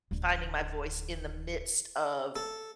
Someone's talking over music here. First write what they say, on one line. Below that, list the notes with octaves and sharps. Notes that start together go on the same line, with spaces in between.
finding my voice in the midst of
D1 D3
A4